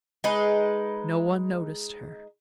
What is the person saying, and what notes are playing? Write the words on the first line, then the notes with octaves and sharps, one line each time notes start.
No one noticed her.
G#3 D#4 B4